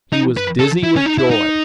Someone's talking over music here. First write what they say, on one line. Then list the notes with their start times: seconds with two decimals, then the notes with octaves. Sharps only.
He was dizzy with joy.
0.12 D#4
0.37 B4
0.59 A4
0.83 E4
0.96 C#4
1.06 D#4
1.18 E4
1.30 D#4